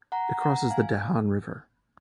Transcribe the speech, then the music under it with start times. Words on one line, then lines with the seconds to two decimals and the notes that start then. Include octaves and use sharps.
It crosses the Dahan River.
0.12 F#5 A#5
0.41 F#5 A#5
0.70 F5 G#5